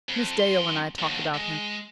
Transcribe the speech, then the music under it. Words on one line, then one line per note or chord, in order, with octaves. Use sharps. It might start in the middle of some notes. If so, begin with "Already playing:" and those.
Miss Dale and I talk about him.
F2
F#2 C6
D#2 D3
G#3